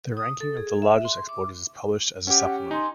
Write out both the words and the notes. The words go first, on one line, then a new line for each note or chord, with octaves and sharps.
The ranking of the largest exporters is published as a supplement.
D#6
A4
G#4
E5
C6
D6
C#4 G4 F#5
D#4 G#5 C6